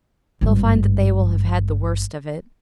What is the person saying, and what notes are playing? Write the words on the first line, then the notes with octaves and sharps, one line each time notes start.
They'll find that they will have had the worst of it.
G#1 G2